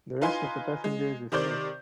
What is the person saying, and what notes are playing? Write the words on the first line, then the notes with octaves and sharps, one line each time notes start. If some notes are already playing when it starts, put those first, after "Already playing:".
The rest of the passengers escaped.
D#4 F4 B4 F5 G#5 C6
G#3
C3 D#3 C5 D5 G6